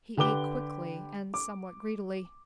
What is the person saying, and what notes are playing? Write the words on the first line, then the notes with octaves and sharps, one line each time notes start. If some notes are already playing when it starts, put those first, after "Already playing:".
He ate quickly and somewhat greedily.
D3 G4 B4 D6 G7
D6